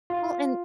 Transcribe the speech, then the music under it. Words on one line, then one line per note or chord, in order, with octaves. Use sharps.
Well, and
F4